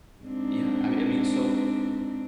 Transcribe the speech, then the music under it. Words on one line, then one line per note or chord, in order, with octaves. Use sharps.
Yeah, I mean I mean, so
G#2 C4 D4